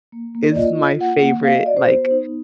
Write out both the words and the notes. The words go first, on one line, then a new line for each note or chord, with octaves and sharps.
is my favorite, like,
A#3
A#3
D5
F4 D#5
F4
A#3 F#5
A#3
F#4 F5
D#5
F#4 D5
C5
B3
D#4